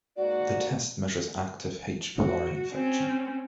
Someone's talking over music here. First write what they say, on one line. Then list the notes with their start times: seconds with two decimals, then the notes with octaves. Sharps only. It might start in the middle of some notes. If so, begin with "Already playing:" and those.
The test measures active "H. pylori" infection.
0.16 G#2 A#3 F#4 D5
2.17 F#4
2.74 C4 C#4